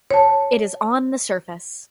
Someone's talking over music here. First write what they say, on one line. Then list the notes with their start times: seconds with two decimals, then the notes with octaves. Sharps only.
It is on the surface.
0.11 C#5 A5